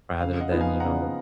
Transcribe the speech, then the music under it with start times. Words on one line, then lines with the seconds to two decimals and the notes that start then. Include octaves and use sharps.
rather than, you know,
0.21 C#3 F5
0.40 D#5 F#5
0.51 F3 B3 D#4
0.60 F5 G#5
0.80 C#3 F#5 A#5